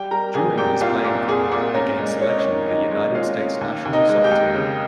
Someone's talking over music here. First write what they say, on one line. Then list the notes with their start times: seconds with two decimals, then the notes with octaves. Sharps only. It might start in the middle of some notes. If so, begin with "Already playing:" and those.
During his playing career he gained selection for the United States national soccer team.
Already playing: G3 G4 G5
0.11 G3 A#4 A#5
0.34 A#2 G#4 G#5
0.58 A#2 G4 G5
0.81 C2 F4 F5
1.05 A#2
1.28 A#2 G#4
1.52 A#2
1.74 C#4 A#4
1.99 G#3
2.22 C#4 C#5
2.30 D#5
2.38 C#4 C#5
2.44 D#3
2.68 D#3 D#4 D#5
2.91 G#3
3.15 C#4 F4 F5
3.38 C#4
3.61 D#2
3.85 D#2
3.93 D#4 D#5
4.09 G#3
4.24 G4 G5
4.31 D#2
4.55 C#3